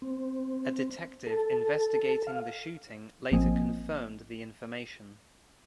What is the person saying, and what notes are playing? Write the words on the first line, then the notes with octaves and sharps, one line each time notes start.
A detective investigating the shooting later confirmed the information.
C4
A4
F5
A1 F3 A#3 C4 D#5 G#5